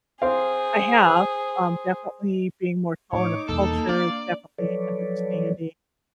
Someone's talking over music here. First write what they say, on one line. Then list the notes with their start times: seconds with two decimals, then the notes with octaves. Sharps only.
I have, um, definitely being more tolerant of cultures, definitely understanding
0.22 C4 G#4 C5 F5
3.13 A2 D#4 C#5 D6
3.49 E1 E2 G3 A#3 A4
3.89 D4 D5 F5
4.58 F3 F#3 A4 B4 C#5 D5